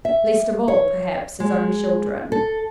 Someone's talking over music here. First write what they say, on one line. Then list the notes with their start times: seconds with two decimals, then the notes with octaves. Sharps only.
Least of all, perhaps, his own children.
0.05 E5
0.68 C#5
1.40 G#3
2.32 A4